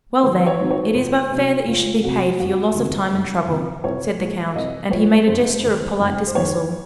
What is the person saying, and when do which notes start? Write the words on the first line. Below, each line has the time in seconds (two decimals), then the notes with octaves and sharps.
"Well, then, it is but fair that you should be paid for your loss of time and trouble," said the count; and he made a gesture of polite dismissal.
0.23 G#1 C5
0.46 C#5
0.59 G#2 D#3 F#3 C4
0.71 C#5
0.94 C#2 C5
1.31 C3 F#3 C4
1.67 C#2 F4
2.03 C3 F#3 C4 F#4
2.39 F1 F#4
2.75 D#2 C#3 F3 C4
3.11 F1
3.47 D#2 C#3 F3 C4
3.84 C2 C#5
4.19 A#2 F3 G#3
4.55 C2 D#5
4.91 A#2 F3 G#3 C#5
5.27 F1 C5
5.64 D#2 D#3
6.00 F1
6.27 C5
6.35 D#2 D#3 C#5